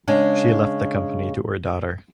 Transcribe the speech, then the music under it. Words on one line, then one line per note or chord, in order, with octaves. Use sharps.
She left the company to her daughter.
C#3 G#3 D4